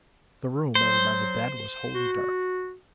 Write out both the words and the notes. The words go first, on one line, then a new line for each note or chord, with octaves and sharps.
The room, over by the bed, was wholly dark.
F#3 C5
F#4